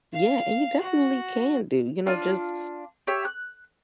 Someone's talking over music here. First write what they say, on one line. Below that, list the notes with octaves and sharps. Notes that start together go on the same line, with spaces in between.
Yeah, and you definitely can do, you know, just
F5
F#4
D4 F4
G4 C#5 E5
F#6